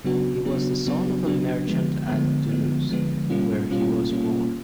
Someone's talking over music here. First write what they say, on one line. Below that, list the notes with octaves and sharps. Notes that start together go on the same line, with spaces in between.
He was the son of a merchant at Toulouse, where he was born.
C#3 F#3 B3 D4 F#4
C#3 F#3 B3 D4 F#4
C#3 F#3 B3 D4 F#4
C#3 F#3 B3 D4 F#4
D3 F3 G#3 B3
D3 F3 G#3 B3
D3 F3 G#3 B3
D3 F3 G#3 B3
B2 G3 A#3 C#4 F4
B2 G3 A#3 C#4 F4
B2 G3 A#3 C#4 F4